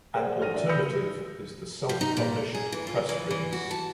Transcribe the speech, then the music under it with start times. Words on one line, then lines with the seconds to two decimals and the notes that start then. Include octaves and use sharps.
An alternative is the "self-published press release".
0.14 G#4 A#4 C5 D5 F#5
0.39 A1 F#4 A4 F6 A#6 D#7
0.54 D4 A#4 D5 E5
0.69 B5 D#6 E6 G6 A#6 C#7
1.89 F3
2.01 D#4
2.17 A#2
2.54 G#4
2.72 E3
2.87 F4
3.09 E3
3.31 E3
3.53 F#4
3.71 A5